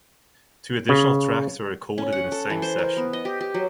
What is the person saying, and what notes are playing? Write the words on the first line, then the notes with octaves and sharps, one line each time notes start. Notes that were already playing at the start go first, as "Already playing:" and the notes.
Two additional tracks were recorded in the same session.
C#3
C#4
F#5
A4
E3
C5
A#4
B3
D#5
G4
G4
F#3